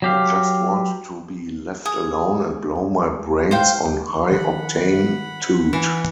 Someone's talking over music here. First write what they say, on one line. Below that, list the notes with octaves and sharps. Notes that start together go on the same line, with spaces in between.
I just wanted to be left alone and blow my brains on high-octane toot.
F#3 G4 F5
G#4
C5 F5 G5
D#3 F3 F#5 B5
E3